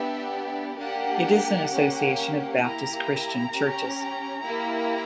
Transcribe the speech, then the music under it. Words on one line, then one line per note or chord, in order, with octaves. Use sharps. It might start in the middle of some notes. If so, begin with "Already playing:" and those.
It is an association of Baptist, Christian churches.
Already playing: B3 D4 G4 E5
A#3 D4 G4 F#5
A#3 C#4 G4
A#3 E4 G4 A#5
C#4 G4
A#3 E4 G4